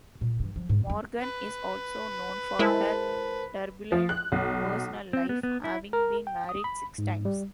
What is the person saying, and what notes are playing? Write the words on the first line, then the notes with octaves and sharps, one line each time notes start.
Morgan is also known for her turbulent personal life, having been married six times.
A#2
G2 E3
F3 F#3
G#2 D#4
F2 G#3
B4
G#3 E4 A#4 C5 A5
F3
F#6
B1
C4
B3
B3
E4
A#4
G5
D#6
B5
G#2
G3